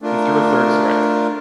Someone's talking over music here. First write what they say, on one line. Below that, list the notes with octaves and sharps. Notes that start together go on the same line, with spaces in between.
He threw a third strike.
A3 D4 F4 A#4